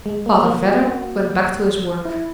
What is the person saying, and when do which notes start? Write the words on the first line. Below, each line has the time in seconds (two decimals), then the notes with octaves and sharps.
Father Vedder went back to his work.
0.06 G#3
0.26 A#3
0.45 A#3
0.65 F#4
2.05 E4